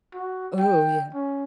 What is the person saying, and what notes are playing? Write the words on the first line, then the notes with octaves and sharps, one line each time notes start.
Oh, yeah.
F#4
G5
C#4